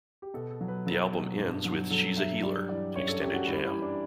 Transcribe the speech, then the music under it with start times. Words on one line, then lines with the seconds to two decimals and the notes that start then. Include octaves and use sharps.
The album ends with "She's a Healer", an extended jam.
0.22 G4
0.34 B2 A4
0.51 A4
0.61 F#3
0.68 B4
0.86 F#3 A4
1.13 B2
1.39 G2
1.65 F#3
1.90 F#3 A4
2.17 G2 E5
2.43 G3 D5
2.69 E3 D5
2.95 F#2 C#5
3.08 A4
3.21 F#2 G4
3.34 F#4
3.47 G3 E4
3.65 E4
3.73 E3
3.82 D4